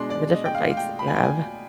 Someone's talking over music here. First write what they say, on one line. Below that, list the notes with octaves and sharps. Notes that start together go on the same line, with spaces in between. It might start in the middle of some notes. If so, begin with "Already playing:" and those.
Yeah. The different fights that you have.
Already playing: B2 G#3 D4 C6
D5
D#5
G5
F5
F5
G5
B5
G#5
G5
G#5